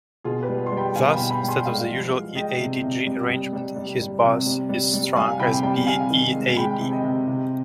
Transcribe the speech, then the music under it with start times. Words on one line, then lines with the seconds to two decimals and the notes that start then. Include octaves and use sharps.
Thus, instead of the usual E-A-D-G arrangement, his bass is strung as B-E-A-D.
0.24 B2 F4 G#4
0.42 G4 B4
0.49 G3
0.66 C6
0.72 G3
0.77 G5 B5
0.96 B2 F5 G#5
1.13 G5 B5
1.18 B2
1.30 G5 B5
1.42 G3
1.48 G#5 C6
1.58 G5
1.65 G#3 D5 F5
1.89 F3
2.13 G#3
2.35 G#3 D#5 G5
2.60 C3
2.83 C3
3.07 G3
3.29 G3
3.53 G3
3.76 G3
3.99 G3
4.23 C3
4.46 G3
4.69 G3
4.93 G3
5.16 G3 F5 G#5
5.40 C3 G5 B5
5.63 G3 G5 B5
5.87 C3 F5 G#5
6.10 D#3
6.34 G#3
6.56 G#3 G5 B5
6.80 C3
6.91 D#5 G5
7.04 C3
7.27 C3